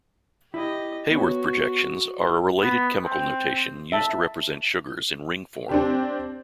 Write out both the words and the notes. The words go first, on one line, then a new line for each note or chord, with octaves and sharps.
Haworth projections are a related chemical notation used to represent sugars in ring form.
E4 G4 D#5
B3 F#4 C#5
B3
C4
E5 A5
C4 D4 G4